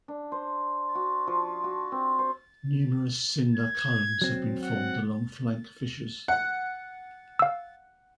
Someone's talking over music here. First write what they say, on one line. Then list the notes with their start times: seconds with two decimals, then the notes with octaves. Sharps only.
Numerous cinder cones have been formed along flank fissures.
0.08 D4
0.32 C5
0.95 F#4
1.27 F3
1.64 F#4
1.92 C4
2.19 C5
3.56 G#6
4.22 F#3 C4
4.63 F#5
6.28 F#5
7.39 F5 E6